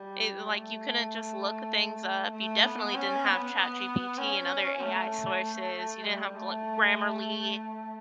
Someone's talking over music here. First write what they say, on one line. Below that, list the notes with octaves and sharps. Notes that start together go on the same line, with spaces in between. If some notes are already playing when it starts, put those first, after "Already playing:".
It like, you couldn't just look things up, you definitely didn't have ChatGPT and other AI sources, you didn't have gl Grammarly
Already playing: G3
A3
A3
B3
C#4
B3
B3
C#4
A3
A3
G3
A3